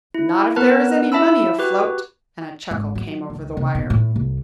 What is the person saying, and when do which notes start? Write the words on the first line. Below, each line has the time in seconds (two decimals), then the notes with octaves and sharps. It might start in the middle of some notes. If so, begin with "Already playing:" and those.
"Not if there is any money afloat," and a chuckle came over the wire.
0.14 E4
0.56 B3 A#4 B4 A5
1.12 E4 E5 A5 B5 E6
1.59 F#4 G4 B4
2.71 G#1
2.95 F#3
3.30 C#2
3.57 C3
3.75 B2
3.90 A2
4.16 C2